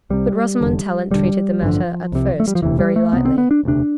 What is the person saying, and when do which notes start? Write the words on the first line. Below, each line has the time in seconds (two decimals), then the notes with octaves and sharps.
But Rosamond Tallant treated the matter, at first, very lightly.
0.10 C2 C3 G3
0.61 F1 E2 D3
1.10 E1 D2 D3 G3
1.61 A1 G2 D3 F3
2.12 C2 C3
2.40 A3
2.48 G3
2.55 F3
2.62 E1 D2 C3 E3
2.79 G3
2.96 A3
3.12 C2 C3 B3
3.25 C4
3.38 B3
3.51 D4
3.63 E1 D2 C3 D4